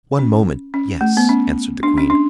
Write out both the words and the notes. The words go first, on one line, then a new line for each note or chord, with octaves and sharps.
"One moment, yes," answered the queen.
C#4
C#4
A3
B3
C#4
D4
C#4
D4